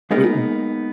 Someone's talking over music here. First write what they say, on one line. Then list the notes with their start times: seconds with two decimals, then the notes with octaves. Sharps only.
Wa u
0.11 G#3 A#3 B3 D#4 G#4 A#4